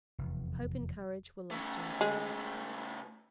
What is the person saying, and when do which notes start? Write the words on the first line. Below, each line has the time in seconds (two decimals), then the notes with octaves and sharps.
Hope and courage were lost in dreams.
0.18 F1 E2
1.51 C#3 A3
2.01 G#3